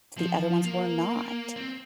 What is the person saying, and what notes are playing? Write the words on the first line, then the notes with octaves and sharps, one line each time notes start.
the other ones were not.
F3
A#3
C4